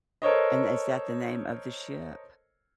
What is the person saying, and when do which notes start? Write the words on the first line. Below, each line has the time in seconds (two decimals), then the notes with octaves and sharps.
And is that the name of the ship?
0.22 A4 A#4 C5 C#5 D#5